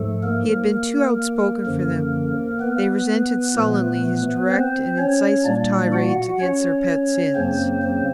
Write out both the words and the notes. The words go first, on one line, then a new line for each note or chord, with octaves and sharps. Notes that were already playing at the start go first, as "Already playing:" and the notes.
He had been too outspoken for them; they resented sullenly his direct and incisive tirades against their pet sins.
Already playing: G#2 F3 A3 A4
A#3 A#4
F#2 D3 F3
B3 B4
A#2 F3 A3
C4 C5
C#4 C#5
A#2 G3 A#3 D4 D5
F#4 F#5
C#4 C#5
F#2 C#3 F#3 A#3 C4 C5
C4 C5